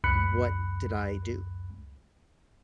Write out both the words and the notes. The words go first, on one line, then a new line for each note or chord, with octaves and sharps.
what did I do?
C#2 F#2 B5 F#6 C#7